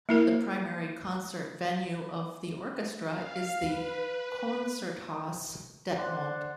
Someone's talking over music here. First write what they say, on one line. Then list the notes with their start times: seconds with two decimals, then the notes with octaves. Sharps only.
The primary concert venue of the orchestra is the Konzerthaus Detmold.
0.09 A#3 E4 A#4
3.08 F5
3.57 B4
5.98 C5 D5 F#5